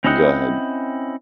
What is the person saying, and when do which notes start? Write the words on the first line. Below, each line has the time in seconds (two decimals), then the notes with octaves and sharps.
Go ahead.
0.04 C4 C#4 E4 D#5 F#5 G5